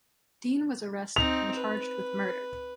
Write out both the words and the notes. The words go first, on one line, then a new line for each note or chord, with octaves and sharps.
Dean was arrested and charged with murder.
C4 D#4 F7
B4